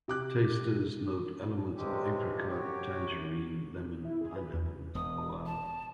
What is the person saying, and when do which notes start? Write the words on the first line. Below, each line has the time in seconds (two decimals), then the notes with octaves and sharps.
Tasters note elements of apricot, tangerine, lemon, pineapple and guava.
0.08 C3 D6 F#6
1.75 G2 C3 G#3 C4 C#4 G4
2.48 F#2 F#4 G4 C#5 G5
4.04 E4
4.21 G#4
4.36 B4
4.53 E2
4.95 E1 D#6
5.46 A5